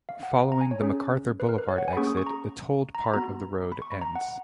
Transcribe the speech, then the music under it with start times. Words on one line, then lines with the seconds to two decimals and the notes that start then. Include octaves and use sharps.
Following the MacArthur Boulevard exit, the tolled part of the road ends.
0.09 F5
0.23 F#5
0.52 A#5
0.61 G#5
0.71 C#5
0.81 C#4 G#4
1.40 B4
1.49 A#4
1.58 B4
1.68 C#5
1.78 F#5
1.88 G#5 B5
1.97 A#3 C#4 G#4 C#6
2.07 D#6
2.17 C#6
2.27 A#5
2.95 A#5
3.04 B5
3.14 B3 F#4 A#5
3.72 B5
3.82 C#6
3.92 B5
4.01 A#5
4.15 F#5